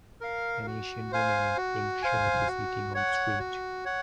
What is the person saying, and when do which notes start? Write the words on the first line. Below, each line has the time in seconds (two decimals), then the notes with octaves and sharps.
An asian woman in pink shirt is eating on the street.
0.21 A#4 F5
0.66 F#4
1.12 C5 F5 G#5
1.57 F#4
2.02 C5 F5 G#5
2.48 F#4
2.94 C#5 F#5
3.39 F#4
3.85 C#5 F#5